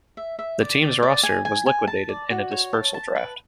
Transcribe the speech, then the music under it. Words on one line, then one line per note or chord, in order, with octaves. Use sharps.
The team's roster was liquidated in a dispersal draft.
E5
E5
D5
D5
D5
G#5
G#5
G#5
A5
D5
F#4
C#5
A5
A5
B4